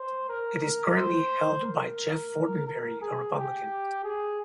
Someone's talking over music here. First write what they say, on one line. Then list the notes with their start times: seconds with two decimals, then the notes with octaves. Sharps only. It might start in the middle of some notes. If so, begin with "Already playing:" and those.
It is currently held by Jeff Fortenberry, a Republican.
Already playing: C5
0.29 A#4
0.63 A#4
0.96 C5
1.64 A#4
2.67 A#4
3.01 G#4
3.35 G4
4.04 G#4